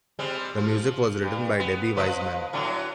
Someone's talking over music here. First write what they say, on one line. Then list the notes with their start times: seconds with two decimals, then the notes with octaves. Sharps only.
The music was written by Debbie Wiseman.
0.19 G3 G#3 C4
0.57 F3
1.22 G2
1.59 B3
1.97 F3 B4 D#5
2.53 A2 F#3 D4